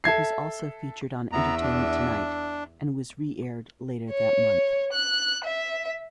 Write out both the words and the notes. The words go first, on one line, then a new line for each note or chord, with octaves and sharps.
It was also featured on "Entertainment Tonight" and was re-aired later that month.
A4 E5 G#6 C7
E2 B3 E5 A#5
D4
C#5
F#6
E5